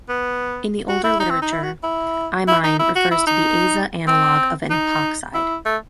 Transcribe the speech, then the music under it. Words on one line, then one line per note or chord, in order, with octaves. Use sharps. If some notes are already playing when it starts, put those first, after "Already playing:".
In the older literature, imine refers to the aza analogue of an epoxide.
B3
F#4
E4
D#4
C4
D#4
E4
F#4
E4
E4
D#4
E4
F#4
E4
D#4
C4
D#4
E4
A3